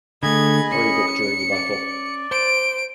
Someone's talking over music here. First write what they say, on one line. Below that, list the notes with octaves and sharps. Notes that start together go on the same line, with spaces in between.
Roebuck during the battle.
D3 A3 G#4 D#5 B5 G#6
C#4 C#7
D5
C5 D7